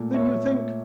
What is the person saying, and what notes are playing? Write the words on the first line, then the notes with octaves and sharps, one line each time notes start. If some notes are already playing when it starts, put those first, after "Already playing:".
"Then you think--?"
Already playing: A#2 A3
C#5 E5